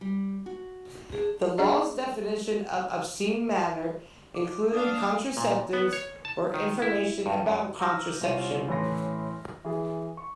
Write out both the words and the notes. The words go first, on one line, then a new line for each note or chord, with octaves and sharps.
The law's definition of obscene matter included contraceptives or information about contraception.
G3
F#4
D4 G#4
D4 G#4 D5 D#5
D6
A#3 D4 F5 D#6
A#2
B3
C#5
A5
D#3
E4
G2
F#2
A#5 D6 E6 F6 G6 A#6
C2 F4 C#5 D#7
A2 E3 C#4 C#5 C6 A#6
E3 G#4
C#6